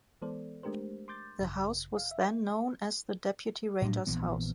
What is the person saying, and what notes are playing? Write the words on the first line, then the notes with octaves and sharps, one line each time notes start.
The house was then known as the Deputy Ranger's House.
E3 G#3 B3 A4 C5 D5
G#3 A3 D4 G4 A#4 C5
C6 D6 G6 A6
G#1 F#2 C#3
F5
E5
A2 F#3 D4
A#1 E3 B3